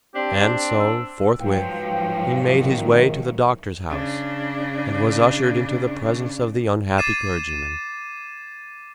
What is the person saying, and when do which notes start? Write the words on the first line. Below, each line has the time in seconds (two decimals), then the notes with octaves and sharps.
And so, forthwith, he made his way to the doctor's house, and was ushered into the presence of the unhappy clergyman.
0.14 C4 D4 G4
0.80 E6
1.41 G#2 F3 F#3 B4 F5 G5
2.56 G#1 D#3
3.89 C#3 D4
6.98 D6 G#6 A6 C7 D#7 E7